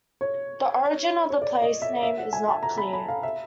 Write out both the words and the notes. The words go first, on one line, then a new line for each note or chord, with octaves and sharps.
The origin of the place-name is not clear.
C#5
C#5
D5
D#5
E5
E5
F#5
G#5
A5
A#5
B5
B5
F5
E5